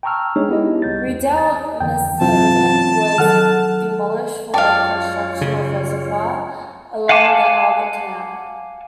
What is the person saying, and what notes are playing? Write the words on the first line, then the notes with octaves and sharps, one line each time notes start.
Redoubt Massenhoven was demolished for the construction of a reservoir along the Albert canal.
G5 A5 A#5 C#6 E6 F6
G#3 B3 D4 D#4 G#4 C#5
B3 E4 G4 D#5
C2 G6 A6
E2
A6
F2 D3 E3 G5
G1 C3 E3 F#3 C4 F4 A5
D#3 F#3 A4 F#5 F6
F#2 F4 C#5 D5 F5 G5 A5
C#3
F5 F#5 G#5 A5 D6